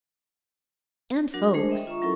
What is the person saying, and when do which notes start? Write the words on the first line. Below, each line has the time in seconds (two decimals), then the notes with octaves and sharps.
And folks.
1.34 F#3 D4 F#4 A#4
1.53 G#3 A3 D4 G#4 A#4 C5
1.69 D#5 E5 G5
1.87 F4 E5 A#5 C#6
2.02 F#3 C#4 E4 A4 A#4 C#6